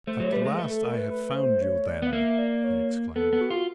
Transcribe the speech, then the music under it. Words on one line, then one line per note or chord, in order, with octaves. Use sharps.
"At last I have found you, then!" he exclaimed.
A3 C5
F#3 C#5
G3 B4
G#3 C5
A3 B4
A4
A#4
B4
B4
C5
C#5
D5
B3 F5
A#3 E5
D5
C#5
B3 A4
B3
F#4
F4 G4
F#4